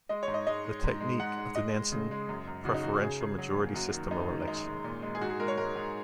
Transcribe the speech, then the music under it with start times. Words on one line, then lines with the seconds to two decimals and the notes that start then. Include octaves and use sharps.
The technique of the Nanson preferential majority system of election.
0.09 G#3 D#5
0.23 G#2 C#5
0.34 D#5
0.47 G#3 D#5
0.65 G#3
0.84 G#2
1.01 G#3
1.20 G#2 F#5
1.38 G#3
1.55 G#3 D#5
1.74 G#3
1.92 C#3
2.11 G#3
2.29 F#2
2.47 F#2
2.65 C#3 F#4
2.74 D#4
2.83 C#3 F#4
2.93 F#4
3.02 C#3 G#4
3.21 C#3
3.38 F#3
3.57 A#3
3.74 F#2 F#4
3.93 D#3
4.11 F#2 D#4
4.29 D#3
4.48 G#3 D#4
4.67 G#3
4.84 A#2
5.02 G#3
5.15 G#4
5.21 G#2 F#4
5.30 G#4
5.40 G#3 A#4
5.48 C#5
5.57 G#2 A#4
5.76 G#2